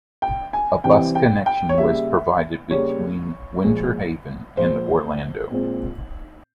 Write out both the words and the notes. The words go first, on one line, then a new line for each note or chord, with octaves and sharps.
A bus connection was provided between Winter Haven and Orlando.
G5
G#5
C3 E3 G3 C4 G5
G5
G5
C#5
C#3 G3 A#3 E5
C#3 G3 A#3 C#5
A#2 F3 G#3
A#2 F3 G#3 C5
A#2 G#3 C4